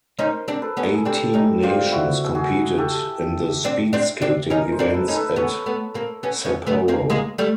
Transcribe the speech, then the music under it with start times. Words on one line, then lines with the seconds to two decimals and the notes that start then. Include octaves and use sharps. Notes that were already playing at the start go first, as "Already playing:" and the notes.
Eighteen nations competed in the speed skating events at Sapporo.
0.19 C#4 D#4 A#4 C5
0.48 C4 D4
0.62 A4 B4
0.77 B3 C#4
0.94 G#4
1.05 C4 D4 G4 A4
1.34 C#4 D#4
1.63 C4 D4 F4 G4
1.92 E4 F#4
2.35 F#4 G#4
2.78 G4 A4
3.64 C4 D4
3.93 C4 D4
4.21 C4 D4
4.50 C#4 D#4 G#4 A#4
4.72 A#4 C5
4.79 C4 D4
4.94 A4 B4
5.08 C#4 D#4
5.16 A4 B4
5.36 B3 C#4 B4 C#5
5.66 A3 B3
5.94 A#3 C4
6.23 B3 C#4
6.45 B3 C#4
6.67 A3 B3
6.88 A#3 C4
7.10 G#3 A#3
7.38 G3 A3